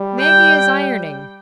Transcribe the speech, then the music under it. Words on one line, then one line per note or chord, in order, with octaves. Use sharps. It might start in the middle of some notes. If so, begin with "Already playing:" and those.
"Maggie is ironing."
Already playing: G3
G5